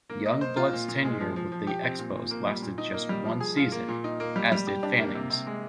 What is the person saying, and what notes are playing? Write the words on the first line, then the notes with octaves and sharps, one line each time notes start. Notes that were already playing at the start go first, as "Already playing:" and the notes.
Youngblood's tenure with the Expos lasted just one season, as did Fanning's.
A#3
D#5
C5
F4
A#2
A#2
G#3
F3
F3
F3
G4
C4
A#2
A#2
A#3
G3
A#2
D#4
A#3
G3
F3
G#4
F4
A#3
A#2
D#4
A#3
G3
G3
G4
D4
A#3
C3
C3
G#3